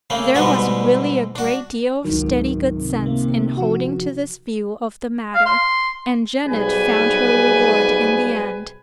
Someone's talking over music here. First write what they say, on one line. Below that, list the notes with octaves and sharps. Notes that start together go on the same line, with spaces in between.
There was really a great deal of steady good sense in holding to this view of the matter, and Janet found her reward in the end.
C#3 A3 A#3
G#2 B2 D3 G3 G#3 F#4
D4 F#4
G#1 C#2 D#3 F#3
C3
A#3
F3 F#4
F5
C6
B1 G#2 G3 G#4 B4 G#5